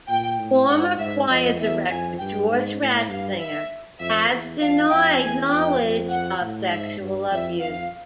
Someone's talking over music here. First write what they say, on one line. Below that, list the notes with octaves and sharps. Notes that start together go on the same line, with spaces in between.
Former choir director Georg Ratzinger has denied knowledge of sexual abuse.
A#2 G5
A2
G#2 F#5
G#2 E5
F2 D#5
E2 E5
F2 G#5
G2 G5
G#2
A2
G2 F5
E5
F2 E5
E2
F2 F5
F2 G5
E2 G#5
F2 G5
F2
F#5
A2
G#2 E5
G2
F2 E5
F2 F5